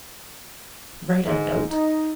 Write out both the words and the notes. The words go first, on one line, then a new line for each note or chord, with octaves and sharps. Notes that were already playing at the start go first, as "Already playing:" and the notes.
Write a note!
G#2
D#4